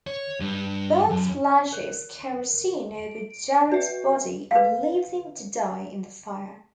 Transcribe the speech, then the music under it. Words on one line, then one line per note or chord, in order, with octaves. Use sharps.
Burke splashes kerosene over Jarrod's body and leaves him to die in the fire.
C#5
G2
F#2
A#4
D7
F#4 B4 E5
B4 F5